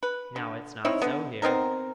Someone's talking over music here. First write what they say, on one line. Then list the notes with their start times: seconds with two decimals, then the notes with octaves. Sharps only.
Now, it's not so here.
0.03 B4
0.36 D3
0.85 C4 D#4 E4 C#5
1.02 D3 B3
1.42 B3 C4 D#4 A#4